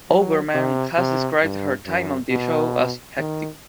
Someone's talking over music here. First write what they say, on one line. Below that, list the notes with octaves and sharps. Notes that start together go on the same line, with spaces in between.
Oberman has described her time on the show as "hectic".
F#3
C3
C3
G2
F#2
B2
D#3